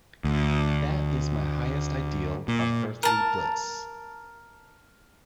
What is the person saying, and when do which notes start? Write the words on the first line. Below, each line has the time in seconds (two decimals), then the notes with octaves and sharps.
That is my highest ideal of earthly bliss.
0.24 D2
2.48 A#2
3.03 A#4 A5